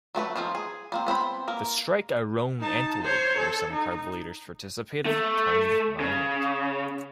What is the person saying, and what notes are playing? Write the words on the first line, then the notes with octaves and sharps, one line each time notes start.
The strike at Roan Antelope, where some tribal leaders participated, turned violent.
F#3 A3 F#4 B4
D#3 F3 C4 F4
G#4
G3 A#3 C4
B3 C4 A#4 B5
A#3 A#4
D#4 A5
C5 C#5
A4
D#4
A3
C#3